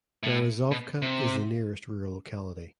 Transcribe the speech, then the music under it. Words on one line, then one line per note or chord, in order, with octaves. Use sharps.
Berezovka is the nearest rural locality.
A2
B2
C3